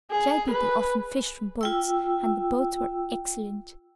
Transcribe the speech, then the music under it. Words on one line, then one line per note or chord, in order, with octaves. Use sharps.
The Shell People often fished from boats, and the boats were excellent.
G#4
B4
F4 G5 E6